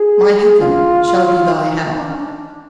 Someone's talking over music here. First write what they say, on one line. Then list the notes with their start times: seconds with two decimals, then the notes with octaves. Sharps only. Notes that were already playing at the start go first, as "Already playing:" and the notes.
My heaven shall be thy hell.'
Already playing: G#4
0.41 G#4
0.60 F4
1.52 D#4
1.88 D#4
1.98 D4
2.07 C#4
2.17 D4